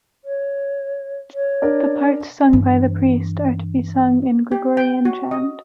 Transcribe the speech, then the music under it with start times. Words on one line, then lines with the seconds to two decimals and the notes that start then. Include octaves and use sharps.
The parts sung by the priest are to be sung in Gregorian chant.
0.25 C#5
1.34 C#5
1.62 D4 A#4 D5
2.53 G2 E3
4.52 G4
4.77 G5
5.05 F#4
5.31 D#5